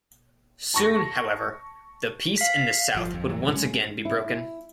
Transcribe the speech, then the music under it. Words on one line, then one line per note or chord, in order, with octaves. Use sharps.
Soon, however, the peace in the south would once again be broken.
A5 C#6 A#6
F5 B6
G1 F3
F2
A#2 E3 F#3
E1 F#2 G#3 C#4
E4